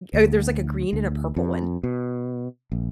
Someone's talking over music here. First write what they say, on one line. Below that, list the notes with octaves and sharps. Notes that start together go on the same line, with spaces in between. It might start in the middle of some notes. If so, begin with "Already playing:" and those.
uh, there's like a green and a purple one.
D2
D2
F2
B2
A#1